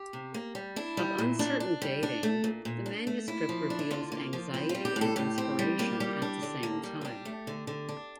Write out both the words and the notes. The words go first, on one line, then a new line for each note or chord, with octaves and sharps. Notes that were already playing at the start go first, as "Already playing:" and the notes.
Of uncertain dating, the manuscript reveals anxiety and inspiration at the same time.
Already playing: G4
C3
A#3
G3
D4 E4
G3
A#2
A#2 D4
D4
G3
D4
A3
A#2
A#2
D4
A3
A#3 E4
F3
D4
E4
D3 F4
A#3
F3
C4 E4
F4
G3
G4
A2
A4
A2 G4
C4
G3
A#3 G4
G3
D4
D3
A#3
G3
F4
D4 G4
A3
D3
D3
D4